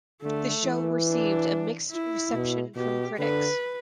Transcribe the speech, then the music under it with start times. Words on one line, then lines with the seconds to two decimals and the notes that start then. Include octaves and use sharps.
The show received a mixed reception from critics.
0.22 D3 A3
0.64 E3
1.07 D4
1.91 E4
2.34 B2
2.76 B2 G4
3.18 D3 B4